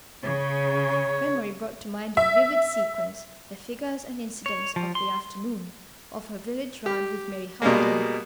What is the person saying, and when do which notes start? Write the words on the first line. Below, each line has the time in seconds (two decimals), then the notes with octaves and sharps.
Memory brought to mind in vivid sequence the figures and incidents of the afternoon, of her village round with Mary Harden.
0.24 C#3 C#5
2.17 E5
4.46 C#5
4.76 F3
4.95 C6
6.86 G4
7.62 B2 G3 G#3 A#3